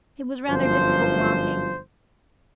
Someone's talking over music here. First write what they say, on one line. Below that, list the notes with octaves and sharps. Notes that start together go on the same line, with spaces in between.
It was rather difficult walking.
G1 F#2 F3 C5